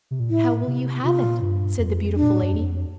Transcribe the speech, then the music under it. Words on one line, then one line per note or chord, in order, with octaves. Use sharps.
"How will you have it?" said the beautiful lady.
C3
A#2
A2 E4
C3
C3 F4
A#2
G2
F2
D4
A#2
A2
G2
F2